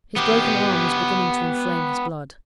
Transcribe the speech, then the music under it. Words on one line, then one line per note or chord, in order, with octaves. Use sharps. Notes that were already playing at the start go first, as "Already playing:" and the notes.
His broken arm was beginning to inflame his blood.
B3 G4